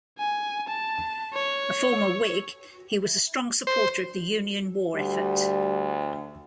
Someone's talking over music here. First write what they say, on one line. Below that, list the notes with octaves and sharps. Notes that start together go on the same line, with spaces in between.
A former Whig, he was a strong supporter of the Union war effort.
G#5
A5
C#5
C5
D2 G3